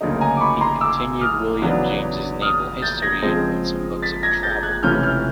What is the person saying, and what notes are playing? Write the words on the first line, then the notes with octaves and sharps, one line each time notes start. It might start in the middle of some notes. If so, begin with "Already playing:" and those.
He continued William James's "Naval History" and wrote some books of travel.
D2 C#3 F#3 A#3 D#4
G#5 A#5
D6
B5 C#6
A#5 C6
D6 E6
D#6 F6
E2 C#3 F#3 B3 D4
D#6 F6
G6 A6
G#6 A#6
C#3 F3 G#3 C4
A6 B6
G#6 A#6
G6 A6
F#6 G#6
C#2 C3 E3 A3 C#4 F6 G6
F6 G6